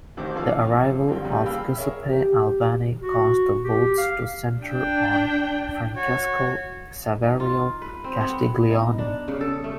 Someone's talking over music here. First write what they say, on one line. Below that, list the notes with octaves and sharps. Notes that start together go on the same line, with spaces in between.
The arrival of Giuseppe Albani caused the votes to center on Francesco Saverio Castiglioni.
A1 D#3 G4 C5 D6
F2 E3 A3 F4 F5 D6
C2 G2 D3 G5
A#1 C#3 G3
G#4 F5 G5 B5 E6 F6
G#4 A#4 C#5 E5
G4
F#4
G4
F5
D4 G5
F#4 C#5
D#4
F4
B4
C4
B3
F#5
D#4
D4
C#3
A4
A3